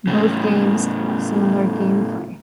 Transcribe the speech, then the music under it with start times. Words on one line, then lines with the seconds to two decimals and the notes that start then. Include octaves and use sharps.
Both games have similar gameplay.
0.07 A2 C#3